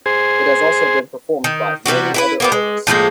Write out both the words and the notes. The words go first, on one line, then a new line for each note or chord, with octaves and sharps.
It has also been performed by many other artists.
G#4 C5
D#3
C3 G3 B3 F#4
E4 F#4 B4
A#3 B3 G4
G#3
A2 F3 G#3 A#3